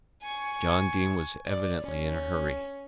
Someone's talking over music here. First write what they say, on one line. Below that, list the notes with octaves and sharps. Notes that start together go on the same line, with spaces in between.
John Dene was evidently in a hurry.
G#5 C#6
D5
C#4